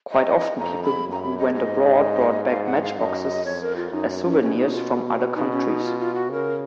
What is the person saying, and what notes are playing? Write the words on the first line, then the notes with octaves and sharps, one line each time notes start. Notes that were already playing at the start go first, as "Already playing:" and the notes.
Quite often people who went abroad brought back matchboxes as souvenirs from other countries.
D#5
F2 A#5
B5
F#2
A#5
B5
D#5
G#2 D#5
G#2 F5
F#5
F5
F#2 D#5
D#5
F2 C#5
A#4
F4
F#2 D#4
C#4
B2 C#4
D#4
F4
B2 D#4
C#4
D#4
F4
F4
F#4
C#3 A#4